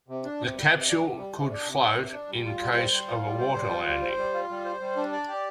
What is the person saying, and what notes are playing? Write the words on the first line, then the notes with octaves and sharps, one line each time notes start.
The capsule could float in case of a water landing.
C3
D4
C3
G3
C3
D4
C3
G3
C3
D4
C3
G3
C3
D4
G3
F4
G3
C5
G3
F4
G3
C5
G3
F4
G3
C5
G3
F4
G3
C5
G3
D4
D5
G4